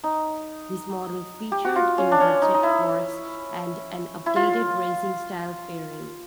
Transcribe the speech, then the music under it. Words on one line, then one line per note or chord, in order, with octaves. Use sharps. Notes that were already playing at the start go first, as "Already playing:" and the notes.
This model featured inverted forks and an updated racing-style fairing.
D#4
G4
F#4
F4
C#4
D4
C#4
D#4
D#4
E4
E4
F4